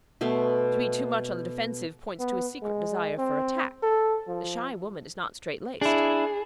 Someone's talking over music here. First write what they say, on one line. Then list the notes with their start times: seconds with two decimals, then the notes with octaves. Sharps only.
To be too much on the defensive points to a secret desire for attack; the shy woman is not strait-laced.
0.21 B2 A3 B3 C6
2.20 B3
2.62 G#3
3.18 C4
3.83 A4
4.28 F3
5.81 D4 E4 G#4